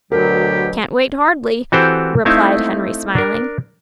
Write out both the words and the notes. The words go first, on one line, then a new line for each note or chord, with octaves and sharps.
"Can't wait, hardly," replied Henry smiling.
D2 B2 F#3 G4 A#4
E3 C4 F#4 G4 A4 C5
A3 C4 D#4 E4 E5 F5
D4 A#4